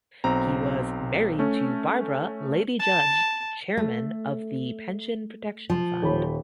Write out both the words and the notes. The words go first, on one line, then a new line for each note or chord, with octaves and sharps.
He was married to Barbara, Lady Judge, chairman of the Pension Protection Fund.
B1 C4 A#5
A3 C#4
A5
A3
F3
D#1 C#5 B5